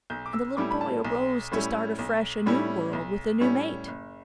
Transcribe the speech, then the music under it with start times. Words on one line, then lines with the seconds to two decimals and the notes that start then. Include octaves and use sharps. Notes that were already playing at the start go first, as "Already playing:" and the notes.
And the little boy arose to start afresh a new world with a new mate.
0.10 B1 G6
0.26 D6
0.33 E6
0.57 A2 G3 C#4 E4 D6
0.71 B5
0.81 A5
1.05 B1
1.52 A2 G3 C#4 E4
1.99 B1
2.46 A2 G3 C#4 E4
2.93 B1
3.40 A2 G3 C#4 E4
3.88 F#1